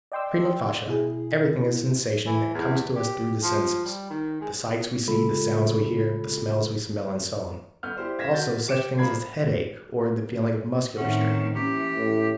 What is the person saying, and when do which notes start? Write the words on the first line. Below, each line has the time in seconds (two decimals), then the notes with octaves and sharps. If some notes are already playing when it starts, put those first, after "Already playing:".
Prima facie, everything is sensation that comes to us through the senses: the sights we see, the sounds we hear, the smells we smell, and so on; also such things as headache or the feeling of muscular strain.
0.12 D5 D#5 G5 C6 D6 E6
0.87 B2 E4 G#4
2.26 E3
2.54 E2
2.96 G4
3.43 F3
3.85 G3
4.10 D#3
4.41 G#3
5.08 C#3 G#3 F4 A4 B5
7.83 G1 B3 F6 G6
7.96 E4 G4 C5 D5
8.18 D#1 F5 G#6 A#6 B6 E7
8.32 F#4 G6 A6
8.68 G4 D6 C#7 D7 E7
8.98 F3 A#3 D4 B5 G#6 C7
10.97 A2 D#3 C4 C#4 C#5 E5 F#5
11.55 E3 A#3 C#4 G4 G6
11.97 A2